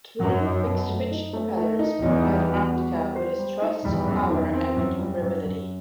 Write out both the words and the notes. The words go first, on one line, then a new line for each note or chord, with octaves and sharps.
Three fixed-pitch propellers provide "Arktika" with its thrust, power, and maneuverability.
F#2 F#3
D#4
B2
A3
D#4
A3
A3
D#4
E2 D#4
G3
F#4
F#4
G3
C5
G3
D#4
E2 G3
F#2
D#3
C4
F#2
G3
F#2
F#2